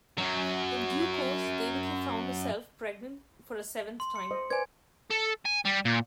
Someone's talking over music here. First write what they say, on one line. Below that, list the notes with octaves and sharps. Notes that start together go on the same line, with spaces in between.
In due course, Devaki found herself pregnant for a seventh time.
F#2 F#3
C6
C#7
C5 D#5
B4 C5 D5 G#5 G#6
A4
G#5
G3
A#2